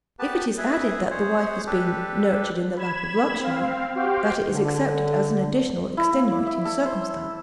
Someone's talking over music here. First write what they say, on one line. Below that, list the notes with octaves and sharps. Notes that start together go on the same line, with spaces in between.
If it is added that the wife has been "nurtured in the lap of luxury," that is accepted as an additional extenuating circumstance.
B3 G4 B4 A5
E4 G#4 B4 E5
G#4 C5 C#5
D4 G4 A4 B4
B5 G#6 E7
C4 F5
F#4 G4 C5 F5 G5
D3
E4
A#3
D5
E5
A4
C5